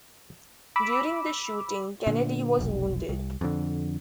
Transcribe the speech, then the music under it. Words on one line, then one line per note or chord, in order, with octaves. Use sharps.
During the shooting, Kennedy was wounded.
B5 D6 E6
A#2 D3
F1 B1
C2
F2 D3